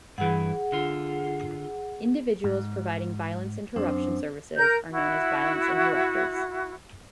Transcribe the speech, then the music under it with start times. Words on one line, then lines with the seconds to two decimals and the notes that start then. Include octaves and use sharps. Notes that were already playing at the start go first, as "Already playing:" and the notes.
Individuals providing violence interruption services are known as violence interrupters.
0.18 G2 E3 G#4 F#5
0.72 D3 F4
2.44 G#2
3.76 F#2 C4 D4 C5
4.56 A#4 G6
4.91 E4 F#4